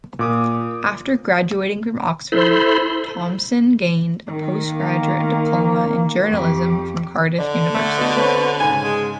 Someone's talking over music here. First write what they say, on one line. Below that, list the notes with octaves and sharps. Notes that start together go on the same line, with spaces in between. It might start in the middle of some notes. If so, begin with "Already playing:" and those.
After graduating from Oxford, Thomson gained a Postgraduate Diploma in Journalism from Cardiff University.
A#2 D6 D#6
E4 A4 C5 B5 C6
D#3
A#3
F2 G4
D3 D5
A3
B3 F#4 D#5
C4 B4 C#5
G#2 C#3 G#5
G#3